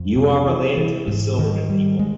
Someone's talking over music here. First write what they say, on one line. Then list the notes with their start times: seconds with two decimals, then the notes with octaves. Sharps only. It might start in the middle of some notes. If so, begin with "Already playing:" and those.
You are related to the Silberman people.
Already playing: F2
0.16 C3
0.47 E3
0.77 E3
1.08 G#2
1.39 D#3
1.69 G3
1.99 G#3